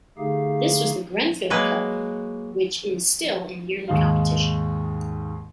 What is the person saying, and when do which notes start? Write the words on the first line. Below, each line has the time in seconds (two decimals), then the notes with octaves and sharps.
This was the Grenfell Cup which is still in yearly competition.
0.18 D3 A3 D#4 G4 G#4 F5
1.50 F#3 G#3 A#3 B4
3.88 D#2 G#2 F5